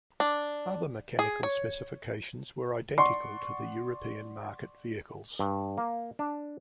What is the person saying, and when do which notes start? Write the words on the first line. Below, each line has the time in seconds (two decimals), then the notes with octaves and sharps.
Other mechanical specifications were identical to the European market vehicles.
0.20 D4
1.19 G#4
1.43 C#5
2.98 D5 F#5 C6 C#6
5.39 G2
5.78 A#3
6.19 D4